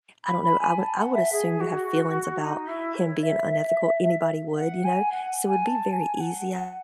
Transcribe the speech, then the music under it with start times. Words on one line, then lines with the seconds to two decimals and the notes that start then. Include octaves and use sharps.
I don't know, I would I would assume you have feelings about him being unethical, anybody would, you know, so it'd be very easy, I
0.24 B5
0.43 B5
0.60 G#5
0.78 A5
0.96 F#5
1.14 E5
1.32 G#4
1.60 F#4
2.40 D#4
2.67 E4
2.95 C#5
3.22 E5
4.57 F#5
4.84 G#5
5.11 F#5
5.48 G#5
5.65 A5
5.92 G#5
6.20 F#5